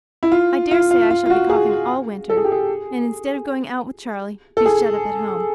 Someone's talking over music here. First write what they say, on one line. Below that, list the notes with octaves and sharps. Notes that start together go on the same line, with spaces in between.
I dare say I shall be coughing all winter, and instead of going out with Charley, be shut up at home.
E4
F4
F4
F4
F4
F4
F#4
G#4
A4
G#4
G4
G#4
A4
G#4